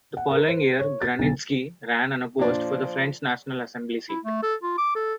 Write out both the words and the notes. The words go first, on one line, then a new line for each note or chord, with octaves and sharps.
The following year Grunitzky ran unopposed for the French National Assembly seat.
F#5
A#4
C5
C#5
A6
B1
A#2 F3 D4
E4
A3
A4
F4
D6
A4